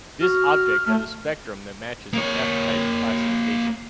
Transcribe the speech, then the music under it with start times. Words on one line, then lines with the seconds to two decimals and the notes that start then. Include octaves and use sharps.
This object has a spectrum that matches an F-type classification.
0.20 F#4 F6
0.86 A3
2.14 A#3 C#5